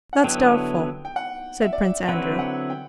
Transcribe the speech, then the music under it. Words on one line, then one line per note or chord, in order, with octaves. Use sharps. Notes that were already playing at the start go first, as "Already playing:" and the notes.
"That is doubtful," said Prince Andrew.
F#5
D3 F#3 B3 E4 G5
G5
F#5
E5
D5
E5
D3 F#3 C4 E4 B4 F#5
F#5
G5